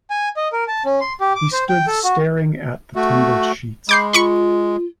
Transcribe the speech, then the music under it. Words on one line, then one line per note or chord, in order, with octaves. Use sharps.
He stood staring at the tumbled sheets.
G#5
D#5
A#4
A5
C#4
C6
G4
D6
C5
G5
A4
F#4
A3 F#4
G#3 B5 D6 G6 C7
F4 B5 C#6 C#7